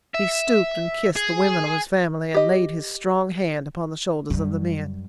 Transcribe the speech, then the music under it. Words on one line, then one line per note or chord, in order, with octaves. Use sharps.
He stooped and kissed the women of his family, and laid his strong hand upon the shoulders of the men.
E5
G#4
G4 D#5
F#2 G3